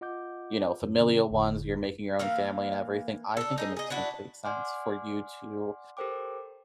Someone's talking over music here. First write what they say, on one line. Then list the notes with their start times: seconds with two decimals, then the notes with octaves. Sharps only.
you know, familial ones, you're making your own family and everything, I think it makes complete sense for you to
0.01 F4 D#5 F#5 D6 G6
0.82 F#2
0.98 C#3 E3 C#4
1.31 G1 F2 A2 D3 E4
2.19 E3 A#3 F5
3.37 D4 A4
3.58 D#4 G#4 D#5
3.77 G#4 D#5
3.90 D4 E4 F#4
4.45 D5 F#5 G#5 C6 D6 F6
5.97 G4 A4 A#4 C5 G5 D6